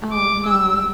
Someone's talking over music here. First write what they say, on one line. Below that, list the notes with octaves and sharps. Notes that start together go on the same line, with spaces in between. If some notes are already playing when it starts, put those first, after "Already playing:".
Oh, no, w
D6
E6